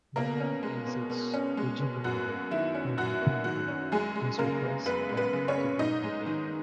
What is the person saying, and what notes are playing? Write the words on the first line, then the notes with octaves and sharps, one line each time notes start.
Mena exits rejuvenated, holding Pangol, who has regressed back to being a baby.
B2 A#3 A#4
C#4
G#3
B2
B2
C#4
G#3
B2
F#2 F#4
A#3
D#3 E4
C#4
F#2 F#4
A#3
D#3 F#4
C#4
F#2 G#3 G#4
G#3
C#3 A#3 A#4
B3
F#2 B3 B4
G#3
B3 B4
C#3
C#4 C#5
B3
G#2 D#4 D#5
G#3
D#3